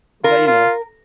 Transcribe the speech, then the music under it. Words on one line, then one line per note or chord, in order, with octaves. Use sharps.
but, you know
F4 A#4
F4